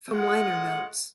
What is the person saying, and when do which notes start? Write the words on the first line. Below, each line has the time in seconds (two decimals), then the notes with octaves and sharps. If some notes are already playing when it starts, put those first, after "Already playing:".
From liner notes.
0.11 A2 G#3 F4 F#5